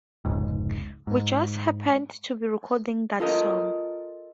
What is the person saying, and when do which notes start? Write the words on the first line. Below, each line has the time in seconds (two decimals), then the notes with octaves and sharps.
We just happened to be recording that song.
0.25 F1 C#2 G#2
1.07 G#2
3.20 F4 A4 A#4 D#5